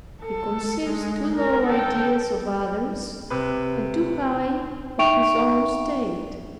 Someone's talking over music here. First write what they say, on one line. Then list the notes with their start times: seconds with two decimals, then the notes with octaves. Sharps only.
He conceives too low ideas of others, and too high of his own state.
0.23 A4
0.86 G#3
1.36 A#4
1.68 A4 G5
3.30 C3 B4
4.98 D#4 E5 G5 C#6 D7 F7